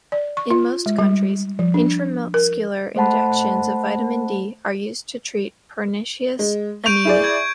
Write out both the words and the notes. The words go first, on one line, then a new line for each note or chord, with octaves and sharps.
In most countries, intramuscular injections of vitamin B are used to treat pernicious anemia.
D5
C#6
F4
G#3
G3
F3
D4
A#4
A3 C5 F#5 A5 B5
G#3
C#6 G6 D7 F7
E4 G#4 D5
G#6